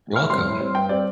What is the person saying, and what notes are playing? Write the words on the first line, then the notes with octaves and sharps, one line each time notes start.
You're welcome.
A2 F6
G3 C4 C6
A2
G3 C4
G2 G5
G3 C4 D5